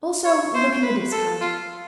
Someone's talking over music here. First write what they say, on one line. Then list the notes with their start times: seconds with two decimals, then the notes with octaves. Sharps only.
Also look in the discard.
0.25 C#5
0.55 C5
0.83 B4
1.12 A4
1.41 F4